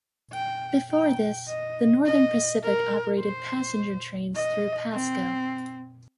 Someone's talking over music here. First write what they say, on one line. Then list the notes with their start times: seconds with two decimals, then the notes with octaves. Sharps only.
Before this, the Northern Pacific operated passenger trains through Pasco.
0.33 G5
0.91 G5
1.49 D#5
2.06 D#5
2.63 A#4
3.20 C5
4.35 D#5
4.93 C4